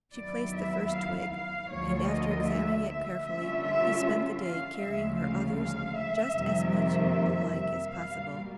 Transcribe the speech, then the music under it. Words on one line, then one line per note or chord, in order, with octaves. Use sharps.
She placed the first twig, and after examining it carefully, he spent the day carrying her others just as much alike as possible.
D#2 D#3 F#3 B3 E4 D5
E5
F5
F5
D2 D3 F3 A#3 C#5
D#5
E5
E5
D3 G3 A#3 C#4 F4 E5
E5
F5
D2 C#3 F3 G#3 E5
F5
F5
E5
F2 C3 D#3 G3 A#3
E5
E5
B2 G3 A#3 F5